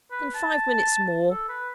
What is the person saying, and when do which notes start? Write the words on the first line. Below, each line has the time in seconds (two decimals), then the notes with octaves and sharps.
'In five minutes more--.
0.11 B4
0.35 A5
1.30 A4
1.49 B4